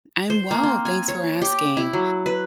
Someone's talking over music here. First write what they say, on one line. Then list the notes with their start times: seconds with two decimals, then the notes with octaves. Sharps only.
I'm well, thanks for asking.
0.30 C5
0.51 A#3
0.63 C4
0.85 G#5
1.08 C#5
1.42 G4
1.77 E4
1.93 F#3
2.26 B4